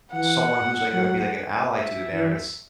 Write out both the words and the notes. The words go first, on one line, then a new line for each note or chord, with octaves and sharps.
someone who's, like, gonna be, like, an ally to Daenerys,
E3 F#5
F#3
E5
E3